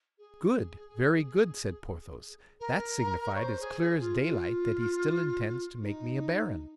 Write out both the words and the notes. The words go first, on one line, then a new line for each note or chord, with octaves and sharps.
"Good, very good," said Porthos; "that signified as clear as daylight that he still intends to make me a baron."
G#4
A#4
C#5
C5
G#4
G#4
F4
F4
D#4